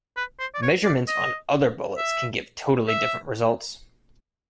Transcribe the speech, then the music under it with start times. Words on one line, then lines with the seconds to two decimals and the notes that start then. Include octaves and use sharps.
Measurements on other bullets can give totally different results.
0.17 B4
0.39 C5
0.54 D5
0.62 C#5
0.85 D5
1.08 D#5
1.98 E5
2.88 E5